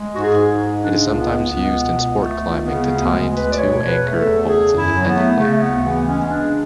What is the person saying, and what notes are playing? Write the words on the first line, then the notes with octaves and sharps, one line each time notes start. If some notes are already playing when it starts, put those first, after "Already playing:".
It is sometimes used in sport climbing to tie into two anchor bolts independently.
Already playing: G#3
G#2 F#4
G#4
G#2
G#3
C#3 D4
C#2
B3
G#3
B3
C#2
B2
C#2
A3
C#2
C#3 B3
D2 B3
G#3
D2 B4
D5
B2 C#5
E2
B4
A3
A4
E2
C#3 G#4
F#2
E4
F#3
B3
A3
C#3 A3
D2 B3
E3 B3
G#3 C#4
C#3 D4